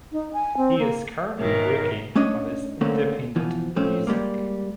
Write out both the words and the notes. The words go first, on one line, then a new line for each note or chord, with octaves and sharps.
He is currently working on his independent music.
D#4
G#5
C4
A#3
G#2 B2 D#3 A#4 C#5 E5
A3 C#4 D4 C#5 D#5
D3 A3 A#3 C4 C#4
B2 E3 F3
F3 A3 C4 C#4
G3 G#3 A#3